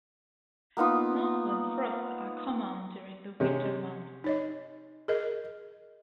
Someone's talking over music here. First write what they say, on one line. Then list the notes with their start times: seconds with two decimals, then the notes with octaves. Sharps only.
Snowfall and frost are common during the winter months.
0.77 A#3 B3 D#4 F4
3.40 C3 G#3 C#4
4.24 D#4 C#5 D#5
5.08 G#4 A#4 D#5